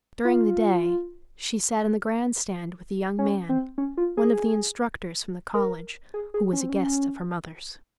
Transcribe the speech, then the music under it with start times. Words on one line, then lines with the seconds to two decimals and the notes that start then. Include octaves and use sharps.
During the day she sat in the grand-stand with a young man, one of the instructors from the college, who was a guest of her mother's.
0.25 F4
3.19 C#4
3.49 C4
3.78 C#4
3.97 F4
4.17 G#4
5.55 A#4
6.14 G#4
6.34 G#4
6.53 C#4
6.61 C4
6.69 C#4